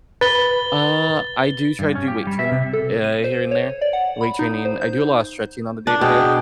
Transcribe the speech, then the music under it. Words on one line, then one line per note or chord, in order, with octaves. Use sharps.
Uh, I do try to do weight training, eh, here and there. Weight training I do a lotta stretching on the day-to-day,
B4 B5 A6 G7
G2
C#4
G4
G3
E5
C3
A4
D#7
C5
C#5
D5
F#5
B5
D#4
C5
G6
D4
B2 G#4 G5